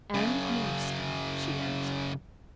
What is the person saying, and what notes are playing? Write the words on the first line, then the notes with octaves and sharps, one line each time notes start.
"And Marston," she answered.
F#2 C#3